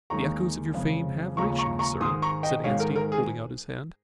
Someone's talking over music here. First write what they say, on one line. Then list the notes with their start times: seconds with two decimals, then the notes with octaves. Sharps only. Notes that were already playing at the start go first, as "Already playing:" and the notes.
"The echoes of your fame have reached me, sir," said Anstey, holding out his hand.
0.10 D#2 D#3 G#3 A#5 C#6
0.74 F2 C#3 G#3
1.37 D#2 C#3 F3 G#3 A#5 C#6
1.59 A#5 C#6
1.79 A#5 C#6
2.01 G#2 D#3 G#3 C6 D#6
2.22 A#5 C#6
2.43 D#5 G5
2.64 G#2 D#3 G#3 C#5 F5
2.80 A#4
2.96 A#4
3.12 G#4